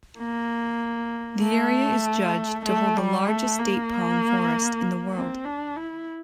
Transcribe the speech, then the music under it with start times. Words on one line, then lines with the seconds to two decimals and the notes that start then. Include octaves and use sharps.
The area is judged to hold the largest date palm forest in the world.
0.18 A#3
1.42 A3
2.65 A3
2.97 G3
3.28 A3
3.59 A#3
5.14 C4
5.45 D4
5.76 E4